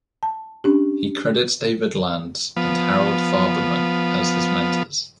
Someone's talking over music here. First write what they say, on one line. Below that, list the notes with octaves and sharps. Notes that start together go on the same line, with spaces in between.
He credits David Landes and Harold Farberman as his mentors.
A5
C#4 D4 G4
F3 B3